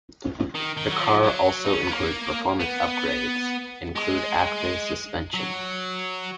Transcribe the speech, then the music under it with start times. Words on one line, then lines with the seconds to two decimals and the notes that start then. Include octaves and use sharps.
The car also includes performance upgrades include active suspension.
0.55 D#3
0.77 D#3
0.90 F#3
1.00 F3
1.23 F#3
1.65 D#4
1.73 C#4
1.82 B3
1.91 A#3
2.59 B3
3.96 G#3
5.34 F#3